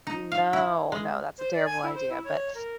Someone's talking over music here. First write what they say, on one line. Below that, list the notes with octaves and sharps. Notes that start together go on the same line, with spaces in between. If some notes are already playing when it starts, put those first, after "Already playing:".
No, no, that's a terrible idea, but
D#4
F5
E4
G#3
C5
D5
G#5
E4
C5
E4
C#5
A#4